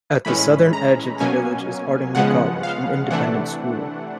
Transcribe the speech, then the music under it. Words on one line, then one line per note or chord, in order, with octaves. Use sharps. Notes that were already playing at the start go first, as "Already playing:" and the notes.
At the southern edge of the village is Ardingly College, an independent school.
A2 E3 G#3 C#4 B5
A#5
B2 F#3 A#3 C#4 G#5
C#3 F3 G#3 B3 F#5
F5
C3 E3 A3 D4 F#5